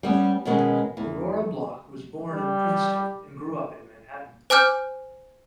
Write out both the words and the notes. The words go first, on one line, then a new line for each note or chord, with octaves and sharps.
Aurora Block was born in Princeton and grew up in Manhattan.
G3 B3 C#4
B2 D#3 G#3 C#4 B4
E2
G3
C5 G#5 D6 F6 G6